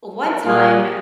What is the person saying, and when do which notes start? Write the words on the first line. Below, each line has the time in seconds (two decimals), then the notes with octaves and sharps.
what time
0.44 A#2 G3 A#3 F4 G#4